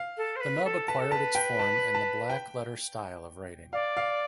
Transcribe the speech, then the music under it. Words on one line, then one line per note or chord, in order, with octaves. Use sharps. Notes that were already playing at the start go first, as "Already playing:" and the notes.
The nub acquired its form in the blackletter style of writing.
Already playing: F5
A4
C5
B4
A4
B4 A5
A4
B4 A5
G5
A5
A5
G5
D5 F5
F5